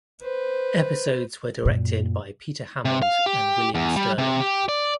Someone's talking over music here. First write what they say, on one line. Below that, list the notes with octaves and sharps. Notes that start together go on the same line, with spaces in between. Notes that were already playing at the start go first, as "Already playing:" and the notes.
Episodes were directed by Peter Hammond and William Sterling.
B4 C5
F#2 A#2
C3
F5
G4
E2
G3
C3
G4
D5